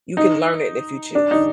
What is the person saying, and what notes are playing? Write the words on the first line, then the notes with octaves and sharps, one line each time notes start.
You can learn it if you choose.
D#4
D4
D#4